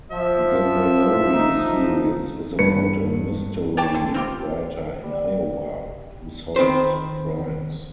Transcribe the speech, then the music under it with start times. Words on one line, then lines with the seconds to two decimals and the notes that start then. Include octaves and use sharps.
The Mallory series is about a mystery writer in Iowa who solves crimes.
0.11 F3 E5
1.33 F3 D#4
2.59 G2 B4 C#7
3.77 C#5 D5 G5 A5
3.94 D3
4.14 C4 F4 G4
5.04 G3
6.56 D#3 C4 B4 C5